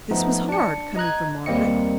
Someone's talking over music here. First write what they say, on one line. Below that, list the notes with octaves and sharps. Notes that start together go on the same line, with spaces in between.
This was hard, coming from Margaret.
F3 A3 B3 D#4
D4 C#7
D#5 A#5 F#6 G#6
D#2 G3 A#3 C4 D#5 C#7